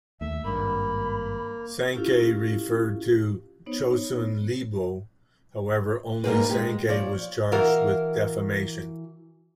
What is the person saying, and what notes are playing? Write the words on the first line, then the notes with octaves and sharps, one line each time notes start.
Sankei referred to "Chosun Ilbo", however only Sankei was charged with defamation.
D#2 A3 E5
G#1 G2 A#3 B5
C#4 E4 F4 G4 A4 F5
B3 D#4 C5 C#5
G#2 G3 A#3 G4 G#4 B4
G#3 G4
F3 C#5 D5
E3 F#4 A#4 F5